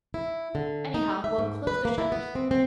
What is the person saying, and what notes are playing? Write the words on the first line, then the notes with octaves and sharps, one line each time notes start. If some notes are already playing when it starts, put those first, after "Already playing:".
Anyhow, we'll close the shutters.
E4
D3
D#4
E5
G#2
B4
A#3
E4
B3
C4
C4